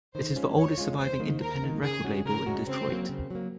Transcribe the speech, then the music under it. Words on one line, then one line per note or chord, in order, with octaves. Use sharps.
It is the oldest surviving independent record label in Detroit.
D#3 C5
G#3 C#4 F4
D#3 C#5
G#3 C#4 F4
D#2 C5
D#3 A#3
D#2 A#4
D#3 A#3
C#3 G#4
G#3 C#4 F#4
C#3 A#4
G#3 C#4 F#4
C#3 C4
F#3 A#3
C#3
F#3 A#3